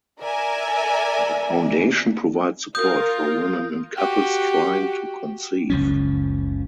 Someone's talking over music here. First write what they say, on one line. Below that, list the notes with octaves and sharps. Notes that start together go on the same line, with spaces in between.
The foundation provides support for women and couples trying to conceive.
A#4 D5 E5 G#5
F4 A#4 D#6 G6
F#4 G4
F#1 C#2 F3 C#4